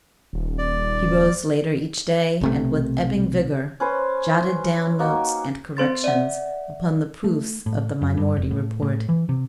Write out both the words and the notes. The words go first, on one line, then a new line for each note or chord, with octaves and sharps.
He rose later each day and with ebbing vigour, jotted down notes and corrections upon the proofs of the Minority Report.
D#1
D5
B1 C3 A3
C#4 B4 C5
A#3 D#4 F#4
C4 C5 C6 A6
D5 E5 F#5
A3
A2
F#2
G2
F1
A2
A2
E3
C3